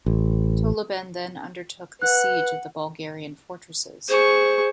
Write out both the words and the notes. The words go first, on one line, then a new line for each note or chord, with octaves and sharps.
Totleben then undertook the siege of the Bulgarian fortresses.
A1
B4 F#5 F#6
G#4 C5 C#6